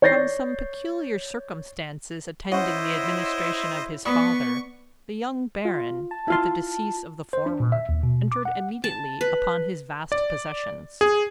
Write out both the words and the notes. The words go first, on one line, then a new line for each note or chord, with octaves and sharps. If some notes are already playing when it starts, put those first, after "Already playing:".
From some peculiar circumstances attending the administration of his father, the young Baron, at the decease of the former, entered immediately upon his vast possessions.
C#5 D5 G6 A6 A#6 C7
C#4 E4 C5 D#5 F#5
B3 D5 B5 C#6 D#6
F4
A5
E4 F4 C6
C5
D4
A#2
E5
D#2
B2
D6
F#5
A5
B4
D5
G#4